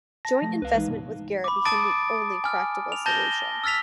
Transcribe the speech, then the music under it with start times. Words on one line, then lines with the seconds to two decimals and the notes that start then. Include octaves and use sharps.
Joint investment with Garrett became the only practical solution.
0.25 A5 A#6
0.42 F3 A3
0.62 C2 B4 F5
0.74 E3 G#3 D#4
0.88 C2 G#2 B2
1.44 B5 D6
1.65 A5 D6 D#6 A6 D7
2.44 G#5 F6
2.92 F7
3.06 A5 G6 A6 A#6 G7
3.64 E6 F6 A6 B6 F7